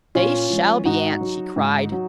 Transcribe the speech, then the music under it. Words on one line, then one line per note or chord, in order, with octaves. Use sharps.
"They shall be, aunt!" she cried.
A#2 C#4 F4
F3 G#3
G#2 D#4 F#4
F#3
G#2
F#3